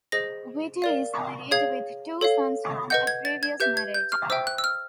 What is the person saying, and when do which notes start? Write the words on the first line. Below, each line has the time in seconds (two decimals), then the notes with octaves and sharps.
Whitty is married, with two sons from a previous marriage.
0.12 G#4 C5 D#5 A#6
0.82 A#4 D5 F5
1.51 G#4 C#5 F5 G#6
2.21 A4 C#5 F5
2.90 B4 D#5 F#5 G6
3.07 G#6
3.25 A6
3.43 G#6
3.60 G4 B4 E5 G6
3.77 G#6
3.94 G6
4.12 F6
4.30 C5 E5 G5 E6
4.47 F#6
4.58 E6
4.64 F6